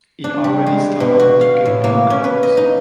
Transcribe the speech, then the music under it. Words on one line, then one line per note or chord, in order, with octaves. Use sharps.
He already started get bank loans.
D4
G3
G#3
B2
F#4
F5
A2
A#3
C#4
B4
D#5
D#4